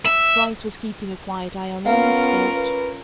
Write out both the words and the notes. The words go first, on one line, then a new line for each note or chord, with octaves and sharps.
Bryce was keeping a quiet eye on Ransford.
E5
B3 C#4 F4 A#4 F5
B4